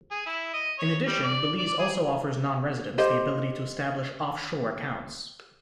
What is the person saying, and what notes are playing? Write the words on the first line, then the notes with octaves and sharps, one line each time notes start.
In addition, Belize also offers nonresidents the ability to establish offshore accounts.
G#4
E4
D#5
C#5
G3
D5
D5
G#4
G4 C5 D#5